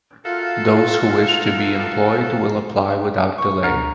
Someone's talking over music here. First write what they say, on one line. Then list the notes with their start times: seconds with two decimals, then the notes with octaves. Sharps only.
Those who wish to be employed will apply without delay.
0.25 F4 F#4 A4 A#4 E5 F5
3.38 C#6
3.64 D2 A#5